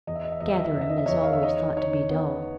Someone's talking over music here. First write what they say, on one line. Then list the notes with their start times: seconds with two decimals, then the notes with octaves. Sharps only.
"Gatherum is always thought to be dull."
0.07 E2 D#5
0.16 E5
0.24 D#5
0.32 E5
0.40 E2 D#5
0.48 E5
0.57 D#5
0.65 E5
0.73 E2 D#5
0.81 E5
0.89 D#5
0.98 E5
1.06 E2 C#5 D#5
1.23 F5
1.33 E5
1.42 D#4 C#5 D#5
1.76 D#3 C#5
2.10 B3